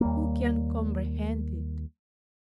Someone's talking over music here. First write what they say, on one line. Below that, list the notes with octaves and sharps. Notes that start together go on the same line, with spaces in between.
Who can comprehend it?
D#2 G3 A#3